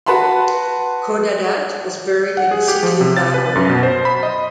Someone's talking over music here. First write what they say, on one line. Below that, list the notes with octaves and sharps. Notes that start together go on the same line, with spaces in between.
Khodadad was buried in the city of Babol.
F#4 B4 A5 B5 C6
F#5
G#4
G4
F3
C3
A6
B4
F#2
B2
C5
B5
D#5